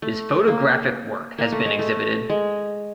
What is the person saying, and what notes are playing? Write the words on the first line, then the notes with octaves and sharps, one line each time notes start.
His photographic work has been exhibited.
A3
A#3
A#3
A3
G#3
A3
G#3